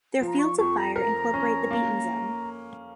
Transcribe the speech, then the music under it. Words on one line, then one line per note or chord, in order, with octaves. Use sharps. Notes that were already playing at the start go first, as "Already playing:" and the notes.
Their fields of fire incorporate the beaten zone.
F3
A#5
C#6
F2 C#6
A#5
A#4 A#5
C#4
A#3